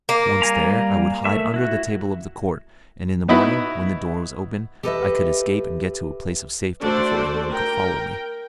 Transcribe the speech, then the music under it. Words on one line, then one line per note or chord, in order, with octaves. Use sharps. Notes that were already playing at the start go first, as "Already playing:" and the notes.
Once there, I would hide under the table of the court, and in the morning, when the door was opened, I could escape and get to a place of safety before anyone could follow me.
A#3
G3 G#5 A#5
A3 E5
E4 F#4
B3 D#4 E4 F#4 B4
G4 A4 B4 C5 D#5 E5
A3 D4 F#4 A4 C5 D5
A#4 G5